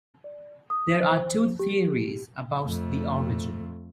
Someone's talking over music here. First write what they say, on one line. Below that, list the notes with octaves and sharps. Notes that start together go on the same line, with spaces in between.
There are two theories about the origin.
D5
D#6
C5
G4
F2 A3